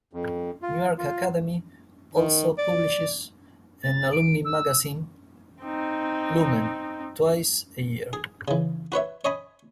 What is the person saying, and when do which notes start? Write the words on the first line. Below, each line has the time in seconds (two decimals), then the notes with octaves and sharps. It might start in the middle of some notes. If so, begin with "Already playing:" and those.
Newark Academy also publishes an alumni magazine, "Lumen", twice a year.
0.13 F2
0.62 F4
0.98 F4
2.13 D#3
2.58 D5
3.83 A6
4.13 D7
4.45 E6
5.62 C4 D#4
8.13 G#4
8.48 C#3 E3
8.92 F#4 B4 C#5 E5
9.25 C#5 D#5 G#5 B5